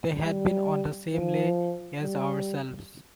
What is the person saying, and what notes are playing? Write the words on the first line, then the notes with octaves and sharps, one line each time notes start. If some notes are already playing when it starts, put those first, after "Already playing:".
They had been on the same lay as ourselves.
G3
F3
G3